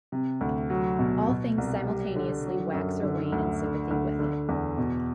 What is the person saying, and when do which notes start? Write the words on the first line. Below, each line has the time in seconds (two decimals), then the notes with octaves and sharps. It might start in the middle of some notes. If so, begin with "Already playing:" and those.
All things simultaneously wax or wane in sympathy with it.
0.12 C3
0.41 D2
0.70 F#3
0.99 B2
1.29 B2
1.58 C2
1.87 G3
2.16 D3
2.45 F#3
2.74 F#2
3.03 D3
3.32 D2
3.62 D3
3.91 D2
4.19 D3
4.49 E2
4.78 B2